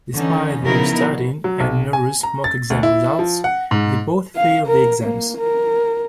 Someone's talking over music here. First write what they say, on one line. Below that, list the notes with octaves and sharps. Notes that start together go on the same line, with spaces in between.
Despite their studying, and Naru's mock exam results, they both fail the exams.
D3 E3 C#4 D#4
C#3 F3 B3 D#4 E4 A#4
B2
F#3
B1
G#5
A#5
A6
D2
E4
F3
F#5
G#2
F5
A#4
A#3
A#4